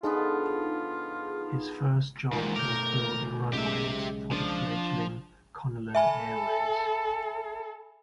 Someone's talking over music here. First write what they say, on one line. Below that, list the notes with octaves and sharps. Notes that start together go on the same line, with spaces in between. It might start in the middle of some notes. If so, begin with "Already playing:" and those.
His first job was building runways for the fledgling Connellan Airways.
D3 F3 B3 D#4 F4 G#4
G#2 D#3 E3 A#3 F4
B2 A3 A#4 D6 G6
B1 C#3 G#3 G4 E5
F3 D4
A4 E5 G#5 B5